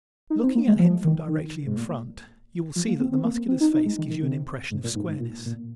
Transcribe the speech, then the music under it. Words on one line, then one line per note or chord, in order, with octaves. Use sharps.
Looking at him from directly in front you will see that the Muscular's face gives you an impression of squareness.
D#4
C4
A#3
G#3
F3
D#3
D#3
G#2
A#2
F3
A#3
C4
C4
A#3
C4
D#4
D#4
G#3
D#3
D#3
C3
G#2
A#2
G#2
G#2
A#2
A#2